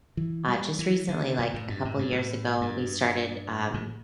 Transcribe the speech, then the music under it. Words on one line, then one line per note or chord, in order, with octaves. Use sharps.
uh, just recently, like a couple years ago, we started, um
E3
G3
E3
D3
B2
A2
G2
A2
G2
A2
G2
A2